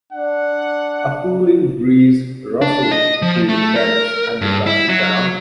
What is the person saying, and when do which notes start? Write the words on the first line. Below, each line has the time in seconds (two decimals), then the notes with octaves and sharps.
A cooling breeze rustled through the tents and the dusty town.
0.13 D4 F#5
2.62 D4
2.92 D#5
3.22 F3
3.49 A3
3.76 A#4
4.41 G2
4.67 E4
4.89 F#3